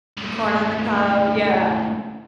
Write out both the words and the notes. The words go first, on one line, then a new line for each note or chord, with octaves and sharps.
The corn on the cob, yeah.
C#2 A2